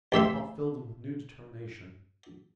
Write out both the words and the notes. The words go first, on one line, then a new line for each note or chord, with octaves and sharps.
The thought filled them with new determination.
A1 G4 E5 C6